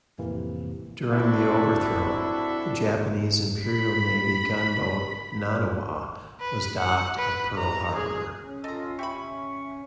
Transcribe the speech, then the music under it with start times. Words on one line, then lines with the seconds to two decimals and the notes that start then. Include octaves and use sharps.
During the overthrow, the Japanese Imperial Navy gunboat "Naniwa" was docked at Pearl Harbor.
0.18 F2 A2 C3 E3 A#3
1.11 C4 D4 E4 F#4 A4 E5
3.63 B5 B6
6.41 B4
6.78 F#5
7.18 B4
7.57 A#5
7.95 G#4
8.43 C#4
8.64 F4 A4 D#5 A#5 C6 E6
8.99 G4 C#5 E5 B5 C#6